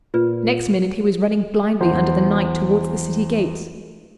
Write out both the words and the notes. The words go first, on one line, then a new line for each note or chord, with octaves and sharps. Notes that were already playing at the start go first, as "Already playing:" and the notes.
Next minute he was running blindly under the night towards the city gates.
A#2 F4 B4
E2 C5 F#5